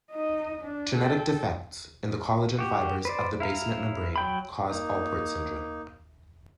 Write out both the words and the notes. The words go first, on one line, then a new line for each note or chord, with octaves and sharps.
Genetic defects in the collagen fibers of the basement membrane cause Alport syndrome.
D#4 D#5
D4
A4 G5
F#4 G4
B4 C5 D5
E4 F5 A#5
F#3 G5 B5
A#3 D#4